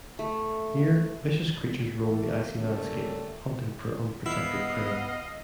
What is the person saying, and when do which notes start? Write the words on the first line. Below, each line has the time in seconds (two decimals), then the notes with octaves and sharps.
Here, vicious creatures roam the icy landscape, hunting for unprotected prey.
0.19 A3
2.01 E3 A3 A#3
2.54 C#3 F#3 G3 A3 A#3 C#4
4.26 B3 E4 D#5 F5